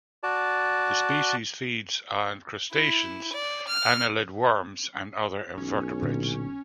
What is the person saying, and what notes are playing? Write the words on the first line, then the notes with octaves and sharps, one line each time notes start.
The species feeds on crustaceans, annelid worms, and other invertebrates.
F#4 D5 A5
E4
D5
F6
B1 C#4
A#2 D3